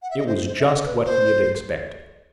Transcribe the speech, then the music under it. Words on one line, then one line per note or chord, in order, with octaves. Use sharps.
It was just what he had expected.
F#5
E5
D#5
C5
C5
E5
D#5
B4
C5